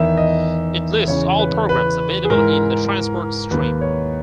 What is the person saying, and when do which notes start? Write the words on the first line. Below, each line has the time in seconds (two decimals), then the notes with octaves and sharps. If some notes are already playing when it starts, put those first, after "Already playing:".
It lists all programs available in the transport stream.
Already playing: E2 D#3 E5
0.17 D#5
1.08 E2 C#3 E3 C#5
1.39 B4
1.69 B4
2.25 G#4
2.30 G#2 E3 A#4
3.51 D#2 D#3 B4
3.81 C#5